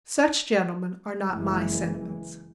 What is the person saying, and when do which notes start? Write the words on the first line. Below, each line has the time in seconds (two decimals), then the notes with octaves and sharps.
Such, gentlemen, are not my sentiments.
1.30 F#1 E3 G#3